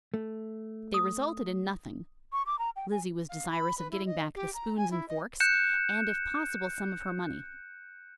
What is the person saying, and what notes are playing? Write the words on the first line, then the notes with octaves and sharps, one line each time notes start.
They resulted in nothing. Lizzie was desirous of getting back the spoons and forks, and, if possible, some of her money.
A3
D#6
C#6
D6
A#5
G5
G#5
F5
B5
B4
E4
D#5
G4
A#5
G#5
E4
D#5
F#6 G6 C#7 E7